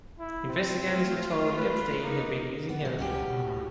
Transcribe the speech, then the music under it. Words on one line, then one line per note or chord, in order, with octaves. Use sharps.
Investigators were told Epstein had been using heroin.
E4
C4
A3 F4
B4
A#3 D#4
B3
B2 F#3 G#3
C#2 C#4 F#4 G4
B2
A2